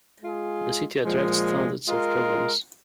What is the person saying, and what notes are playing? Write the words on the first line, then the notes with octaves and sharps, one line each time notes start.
The city attracts thousands of pilgrims.
G#3 F4 G#4
A#2 F3 G#3
G#3 F4 A#4